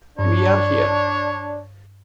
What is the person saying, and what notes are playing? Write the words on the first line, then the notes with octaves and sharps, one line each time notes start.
We are here.
G2 D4 C#5